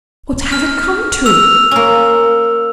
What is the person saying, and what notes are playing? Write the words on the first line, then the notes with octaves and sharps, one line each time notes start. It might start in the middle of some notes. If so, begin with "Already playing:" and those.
"What have it come to?"
F6
E6 F7
A#3 C#4